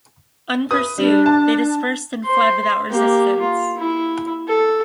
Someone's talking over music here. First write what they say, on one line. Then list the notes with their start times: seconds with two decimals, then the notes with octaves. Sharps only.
Unpursued, they dispersed and fled without resistance.
0.71 B4 D#6
0.98 G3 D4
1.26 A5
2.24 C5 C6
2.90 A#3 G4
3.40 F4
3.77 E4
4.48 A4